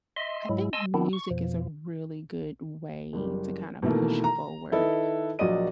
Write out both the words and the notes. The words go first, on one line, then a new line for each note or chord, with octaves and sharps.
I think music is a really good way to kinda push forward,
D#5 E5 C6
G#2 F#3 G#3 E4
D#5 G#5 A5 C6 E6
D#3 B3 C4 D4 E4
C#6
F2 B2 F3
F#1 G3
B2 D#3 E3 A3 A#3
A#5
D#3 E4 A4 B4 D#5
A#1 F#3 F#4 D5 D#5 D#7